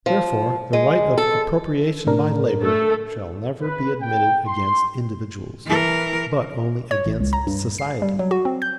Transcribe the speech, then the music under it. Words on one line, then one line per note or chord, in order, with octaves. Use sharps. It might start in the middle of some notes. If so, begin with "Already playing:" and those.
"Therefore, the right of appropriation by labor shall never be admitted against individuals, but only against society."
F3
G#3
A4
A2 D4 A#4
A3 A4
B4
G5
C6
E3 A#4
C#5
A1
C#2
A#5
G2
C7
G3
F#3
F#4
C4
G6